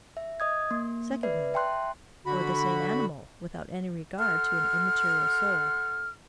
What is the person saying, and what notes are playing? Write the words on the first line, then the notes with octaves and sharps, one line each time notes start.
Secondly, or the same animal, without any regard to an immaterial soul.
E5
D#5 D#6 G#6
A#3
B4 D5 E5
E5 G5 A5 C6 F#6
D3 F#4 B5
A4 F#5 C6 F6